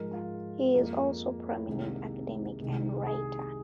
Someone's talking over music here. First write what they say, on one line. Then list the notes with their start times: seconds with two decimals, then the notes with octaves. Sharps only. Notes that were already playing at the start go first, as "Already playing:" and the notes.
He is also prominent academic and writer.
Already playing: G#2 F3 G#3 A#4
0.13 F4
0.74 F2 F3 G#3 A#3
1.67 C2 C3 D#3 G#3
2.60 C2 C3 D#3 G#3
3.06 G#4